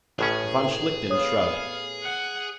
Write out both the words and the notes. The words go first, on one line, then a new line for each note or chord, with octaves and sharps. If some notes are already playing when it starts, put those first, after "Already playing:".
Von Schlichten shrugged.
A1 A2 C#4 G#4
B3 C#5 F5 D#6
F#5